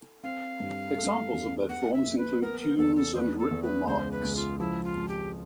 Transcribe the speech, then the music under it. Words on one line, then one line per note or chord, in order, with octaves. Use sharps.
Examples of bed forms include dunes and ripple marks.
C4 F5
G2
A3
E2
B3 F#5
E5
A#1
B4
B3 A#4
A#4
E2 A4
A4
E2 B4 C5
A4
E2
B4
C#2 C5
B4
C#2
F4
F3 E4
F4
G#1
G4